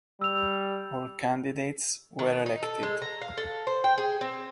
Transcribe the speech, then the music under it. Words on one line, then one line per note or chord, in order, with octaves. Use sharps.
All candidates were elected.
G3 E6 F7
D#3
D#4
A4
G#3
A#5
F5
A4
C5
G5
G#4
C4